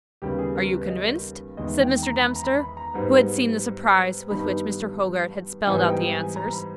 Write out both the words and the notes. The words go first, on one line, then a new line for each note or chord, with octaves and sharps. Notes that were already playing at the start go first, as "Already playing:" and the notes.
"Are you convinced?" said Mr. Dempster, who had seen the surprise with which Mr. Hogarth had spelled out the answers.
D#2 C#3 G3 B3 G4
G#4
A#4
B4
D#5
E2 D#3 G#3 D#5
G5
A#5
B5
A#5
B5
B5
A#5
G#2 G3 B3
G2 D#3 G3 B3 D#4 B5
G#2 E3 G3 B3 D#4 G#5
G5
G#5
A#5
B5